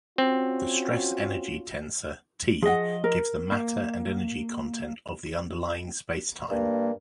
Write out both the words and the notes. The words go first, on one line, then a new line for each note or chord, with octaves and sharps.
The stress-energy tensor "T" gives the matter and energy content of the underlying spacetime.
C4 C#4 F4 F#4
F3 G#4 D#5 F#5
A#4
A#3
G2 A#3